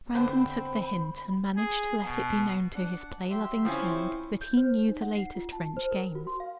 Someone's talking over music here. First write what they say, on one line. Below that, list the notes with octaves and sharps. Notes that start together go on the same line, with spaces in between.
Brandon took the hint and managed to let it be known to his play-loving king that he knew the latest French games.
D3 B3 C4 C5 G5 B5
G#4
B2
D4 F#5
F#3 G4 E5 C6
F3 C4 C#4 E4
G6
C5
D#4
F#5
C7
F4
A5
C5
A#4
F#4
C6
F5